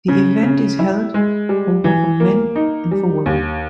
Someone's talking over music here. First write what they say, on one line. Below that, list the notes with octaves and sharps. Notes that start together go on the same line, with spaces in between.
The event is held over for men and for women.
C#3
C#3
E4
G#3
G3
E3
A#3
D#4
G3
D#2